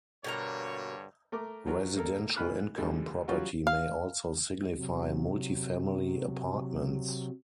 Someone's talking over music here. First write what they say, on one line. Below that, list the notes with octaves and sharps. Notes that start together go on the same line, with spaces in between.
Residential income property may also signify multifamily apartments.
G2 B2 D3 A#3 C#5 A#5
A3 A#4 D6
F3 F#3 A#4
A#3 A4 A#4
B2 E3 B5 F6 F#6
D2 D3 F3 G3 G#3
F#3 G3 C#4 F4 F#4
F5
C3 F#3